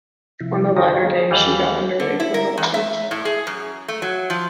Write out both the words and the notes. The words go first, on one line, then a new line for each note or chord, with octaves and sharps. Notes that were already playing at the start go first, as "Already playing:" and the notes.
On the latter day, she got underway for Hawaii.
C3 F3 E4
F2 D3 D#3 A#6
G#4
D#2 E3 G3 G4 G#4
D3
E4
A#4
E2
E5
A2
G#4
F#2
A3
F#3
F3